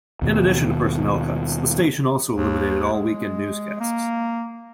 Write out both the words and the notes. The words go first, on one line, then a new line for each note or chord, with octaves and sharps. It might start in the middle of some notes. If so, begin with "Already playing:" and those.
In addition to personnel cuts, the station also eliminated all weekend newscasts.
D#2 B2
D#2
G#3
A#3